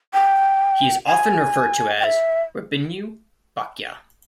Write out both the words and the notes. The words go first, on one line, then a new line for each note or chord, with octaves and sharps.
He is often referred to as Rabbeinu Bachya.
G5
G#5
G5
E5